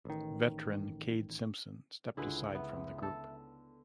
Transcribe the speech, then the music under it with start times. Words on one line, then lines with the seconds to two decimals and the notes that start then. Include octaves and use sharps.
Veteran Kade Simpson stepped aside from the group.
0.05 A1 D#3
2.17 C#2 D3 E4 F4 G#4 B4
2.55 B3 E5
3.02 A4